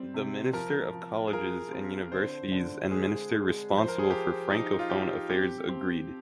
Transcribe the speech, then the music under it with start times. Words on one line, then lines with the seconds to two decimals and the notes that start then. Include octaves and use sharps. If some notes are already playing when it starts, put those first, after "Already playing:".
The Minister of Colleges and Universities and Minister Responsible for Francophone Affairs agreed.
Already playing: G3 C4
0.14 C3
0.53 F3 A#4
0.93 F3
1.27 G#4
1.33 F4 A#4
1.72 C4
2.12 D3 C5
2.52 D3
2.91 G#3 G#4
3.31 G#3
3.70 F3
3.78 C5
3.88 A#4
3.99 G#4
4.10 F3 G4
4.50 F3 D#4
4.79 F4
4.90 F3 G4
5.29 C4 G4
5.69 C4